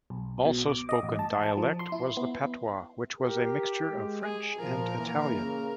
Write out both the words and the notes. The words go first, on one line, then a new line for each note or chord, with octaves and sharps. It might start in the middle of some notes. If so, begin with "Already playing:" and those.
Also spoken dialect was the Patois, which was a mixture of French and Italian.
B1
B2
D6
D#5
A1
A5
A5
F3
C6
E4
B3
G4 A#4
G#3
G#4
A#2 F3 A#4
E3 A#3
C#3